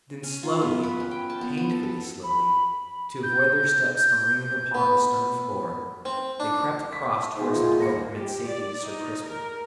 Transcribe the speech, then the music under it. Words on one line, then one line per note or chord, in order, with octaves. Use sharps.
Then slowly--painfully slowly--to avoid their steps from ringing upon the stone floor, they crept across towards the door that meant safety to Sir Crispin.
C#4
F4
B3
B4
C#4
G5
A5
B3
B3
A4
A4
B5
G6
B3
C4
D4
C#6 B6
G#3 B3 D#4 C5 E5 G#5
D#2 A#2 F4 D#5
A#3 A#6 C#7
G4
D5
D#4
A#4